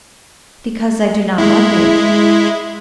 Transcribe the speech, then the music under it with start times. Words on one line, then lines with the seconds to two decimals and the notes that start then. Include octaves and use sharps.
"Because I do not love you."
1.38 G#3 E4